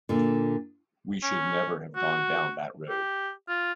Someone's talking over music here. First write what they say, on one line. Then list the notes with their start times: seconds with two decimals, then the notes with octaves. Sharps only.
We should never have gone down that road.
0.09 A#2 D3
1.23 C#4
1.96 F#4
2.89 G4
3.49 F4